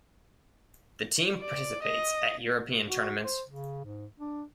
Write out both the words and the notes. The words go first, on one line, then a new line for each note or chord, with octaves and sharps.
The team participates at European tournaments.
D5
D#5
F#4
C5
C#3
G#2
D4